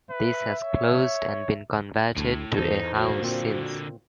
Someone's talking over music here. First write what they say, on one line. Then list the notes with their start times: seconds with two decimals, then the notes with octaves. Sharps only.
This has closed and been converted to a house since.
0.10 B4 E5
0.62 C#5
2.17 D2 A2
2.57 E2 D#4 A4 C5
2.95 D3 A#3 F#4
3.22 A#2 C4